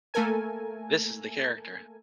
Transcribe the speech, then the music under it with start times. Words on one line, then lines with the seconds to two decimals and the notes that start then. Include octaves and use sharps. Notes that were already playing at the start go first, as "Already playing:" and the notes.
This is the character!
0.14 A3 A#3 A4 A#4 G#5